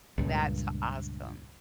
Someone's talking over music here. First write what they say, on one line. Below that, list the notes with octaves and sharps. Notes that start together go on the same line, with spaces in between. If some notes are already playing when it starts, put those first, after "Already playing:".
That's awesome.
C#2 G2 A#2